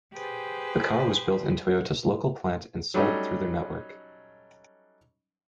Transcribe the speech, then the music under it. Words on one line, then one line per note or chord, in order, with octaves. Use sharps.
The car was built in Toyota's local plant and sold through their network.
G4 G#4 B4 C5
F#3 G3 A3 C#4 D#4